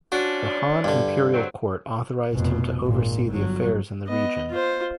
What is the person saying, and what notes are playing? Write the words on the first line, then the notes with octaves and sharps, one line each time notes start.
The Han imperial court authorised him to oversee the affairs in the region.
F3 C#4 D4 F#4
G2 D3
F#3 C4
F1 B2
G#1 A#2
G1 F#3
B3 D#5
F4 C5